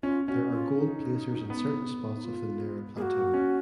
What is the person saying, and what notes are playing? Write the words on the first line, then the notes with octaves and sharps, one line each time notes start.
There are gold placers in certain spots of the Nera Plateau.
C#4 F4
C#4 F#4
F4
D#4
B3
D#4
F4
A#3 G#4
F#4
C#4